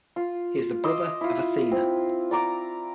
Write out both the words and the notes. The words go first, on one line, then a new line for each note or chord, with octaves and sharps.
He is the brother of Athena.
F4
D#5 C6 D6 E6
E4 F4
C4
D5 A#5 D6